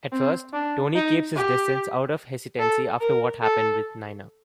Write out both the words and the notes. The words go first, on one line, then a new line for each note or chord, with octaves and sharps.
At first, Tony keeps his distance out of hesitancy after what happened with Nina.
C4
D4
D#4
G4
A4
A#4
A4